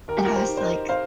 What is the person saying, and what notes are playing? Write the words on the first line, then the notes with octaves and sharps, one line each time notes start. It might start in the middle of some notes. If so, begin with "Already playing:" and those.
and I was like
D#2 A#4
G4
F4 A#4
G4 C5
D#3
C5
A#4 D#5
C5 F5